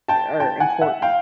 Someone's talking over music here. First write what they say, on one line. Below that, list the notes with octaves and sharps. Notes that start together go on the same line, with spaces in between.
are important
G5 A5
G5 A5
F#5 G#5
E5 F#5
F5 G5